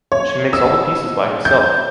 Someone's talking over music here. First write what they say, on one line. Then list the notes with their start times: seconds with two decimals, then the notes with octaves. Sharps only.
She makes all the pieces by herself.
0.12 C#5
0.53 E6
1.45 G6